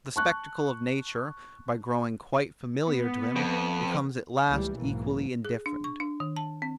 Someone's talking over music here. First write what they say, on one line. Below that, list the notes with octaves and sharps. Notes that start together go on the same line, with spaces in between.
The spectacle of nature, by growing quite familiar to him, becomes at last equally indifferent.
A5 C#6 F#6
B3
F2
C#2 E3 G3 A3
B1 G#2 B2 E3 A#3
G#4
D4
C#6
D4
D#3
A5
C4